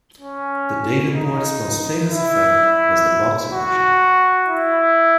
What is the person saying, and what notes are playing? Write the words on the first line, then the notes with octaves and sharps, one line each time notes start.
The Davenports' most famous effect was the box illusion.
C#4
D#4
E4
F#4
E4